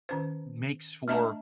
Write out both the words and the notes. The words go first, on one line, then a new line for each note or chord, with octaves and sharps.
makes for
D#3 C#4 C5
A3 D4 D#5 E5 A5 A#5